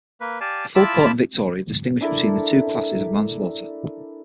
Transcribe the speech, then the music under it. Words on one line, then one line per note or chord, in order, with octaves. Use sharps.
The Full Court in Victoria distinguished between the two classes of manslaughter.
A#3 B4
G4 D5 F5 G#5 A5
E4 F4 E5 A5 B5 D6
D4 E4 A4 A#4